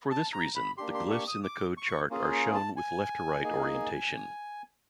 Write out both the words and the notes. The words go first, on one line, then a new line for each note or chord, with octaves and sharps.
For this reason, the glyphs in the code chart are shown with left-to-right orientation.
A5
A#5
B5
A#3 D4 G4 C6
C6
C#6
D#6
D6
C#6
A#3 C#4 F4 G#4
A#5
A5
G#5
A#3 D#4 G#4